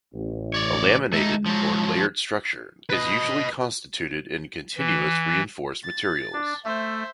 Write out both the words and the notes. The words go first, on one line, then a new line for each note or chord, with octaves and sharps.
A laminated or layered structure is usually constituted in continuous reinforced materials.
A1
C#5 D5
G#3 A3 D#4
F3 F#3
B4 D#5
E3
A6
D4
A3 C5 E5